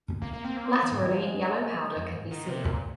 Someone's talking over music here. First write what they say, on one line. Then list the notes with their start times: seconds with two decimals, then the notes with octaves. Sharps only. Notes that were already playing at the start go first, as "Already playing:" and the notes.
Laterally yellow powder can be seen.
0.22 A#3
0.33 A#3
0.45 C4
0.57 A#3
0.65 C4
0.75 A#3
0.83 D#3
0.92 G#2
1.03 D#3
1.14 F3
1.26 G#3
1.96 F2
2.14 G#2
2.31 D#3
2.48 C3
2.66 A#2